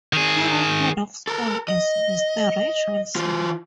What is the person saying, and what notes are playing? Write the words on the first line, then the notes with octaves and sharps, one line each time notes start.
Current Head of School is Mr. Rich Wilson.
D#3 G#4
A4 A#4
D#5
E3 F4